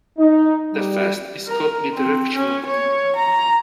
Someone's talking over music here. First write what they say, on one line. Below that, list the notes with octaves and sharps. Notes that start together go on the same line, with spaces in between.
The fest is called Literapture.
D#4
G3
A#4
C4
C#4
C#5
A#5